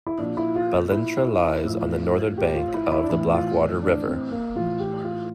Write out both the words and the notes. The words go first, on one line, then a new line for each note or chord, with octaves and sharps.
Ballintra lies on the northern bank of the Blackwater river.
E4
A#2 F3 D4
E4
F4
E4
A2 F3
G4
F4
E4
E4
D4
A2 E3 E4
F4
D4
C4
A#3
A2 E3 F4
G4
F4